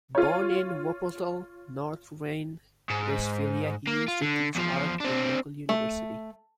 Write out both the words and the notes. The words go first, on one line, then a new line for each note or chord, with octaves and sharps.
Born in Wuppertal, North Rhine-Westphalia, he used to teach art in the local university.
F4 C#5
G#2
A#3
F4
D3
E2 F3
C4 D4
A3